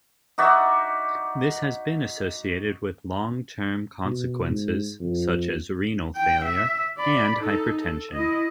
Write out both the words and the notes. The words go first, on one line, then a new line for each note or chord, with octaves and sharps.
This has been associated with long-term consequences such as renal failure and hypertension.
D#4 F#4 D5 E5
B2
G#2
F2
G5
E5
D5 B5
D#4 A4
A4
E4 D#5